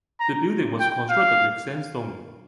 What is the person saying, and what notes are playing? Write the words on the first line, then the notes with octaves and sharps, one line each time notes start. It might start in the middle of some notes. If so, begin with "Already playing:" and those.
The building was constructed with sandstone.
A#5
G5
F5